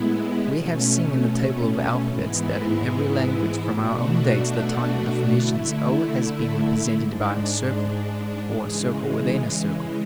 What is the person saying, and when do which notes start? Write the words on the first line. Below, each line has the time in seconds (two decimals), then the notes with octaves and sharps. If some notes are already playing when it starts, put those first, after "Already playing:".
We have seen in the table of alphabets that in every language, from our own day to the time of the Phoenicians, o has been represented by a circle or a circle within a circle.
Already playing: A2 G#3 B3 E4
0.46 B2 A3 C#4
2.08 G#2 E3 G#3 B3 E4
3.70 B2 A3 D4 F#4
5.32 D3 A3 E4
6.94 G#2 G#3 D4
8.56 C#3 E3 G#3